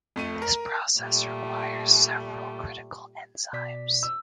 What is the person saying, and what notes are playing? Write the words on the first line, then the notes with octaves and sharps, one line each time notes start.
This process requires several critical enzymes.
F2 A3 D#7
A#4
A#2 G3 A3
B2 D5 B6
E6